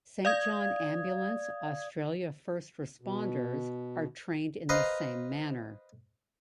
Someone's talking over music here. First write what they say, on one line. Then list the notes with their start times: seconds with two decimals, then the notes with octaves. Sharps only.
Saint John Ambulance Australia First Responders are trained in the same manner.
0.25 D5 F5 D#6 G#6
3.01 B2
4.69 B4 C5 D#5 F5 A#5